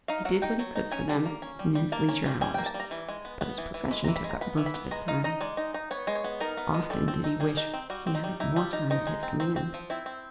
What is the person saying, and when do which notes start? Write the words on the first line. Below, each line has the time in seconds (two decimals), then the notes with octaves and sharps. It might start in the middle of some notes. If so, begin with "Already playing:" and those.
He did what he could for them in his leisure hours, but his profession took up most of his time: often did he wish he had more time at his command.
0.08 D#4 F5
0.25 F#3 F#5
0.42 D#4 G5
0.59 F#3
0.75 D#4
0.91 C#4 G#5
1.09 G3
1.25 A#3
1.42 C#4
1.59 G3
1.75 G3
1.92 A#3 A5
2.09 C#4
2.26 G3
2.41 G3 G#5
2.54 A#3 G5
2.66 A5
2.74 G3
2.80 A#5
2.91 E3
3.08 G#3
3.25 B3
3.41 B3
3.58 E3
3.74 E3
3.91 G#3 B5
4.04 E3 A#5
4.16 B5
4.24 G#3
4.29 A#5
4.41 B3 B5
4.57 E3
4.66 B5
4.74 B3
4.91 G#3 A#5
5.08 D#4 F5
5.24 D#4 D#5
5.41 G#3 D5
5.57 D#4
5.74 D#4
5.91 B3 C#5
6.07 G#3
6.15 C#5
6.24 B3
6.40 D#4 A#4
6.57 B3
6.74 G#3
6.90 G3 A4
7.08 C4
7.24 D#4
7.40 G3 G#4
7.57 D#4
7.74 C4
7.90 G3 F#4
8.07 C4
8.15 D#4
8.24 G3
8.40 D#4 E4
8.56 G3
8.73 D#4
8.90 F3 D#4
9.07 G#3
9.23 C4
9.40 C4
9.56 C4
9.74 F3
9.90 C4 E4
10.06 C4